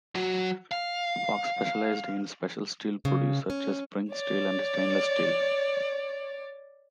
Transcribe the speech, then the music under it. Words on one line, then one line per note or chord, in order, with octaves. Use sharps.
Fox's specialised in special steel produce such as spring steel and stainless steels.
F#3 F#4
F5
C#3
C#4
C#5 D5